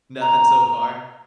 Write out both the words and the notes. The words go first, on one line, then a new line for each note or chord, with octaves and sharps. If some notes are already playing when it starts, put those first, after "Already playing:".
Nothing so far?
A#5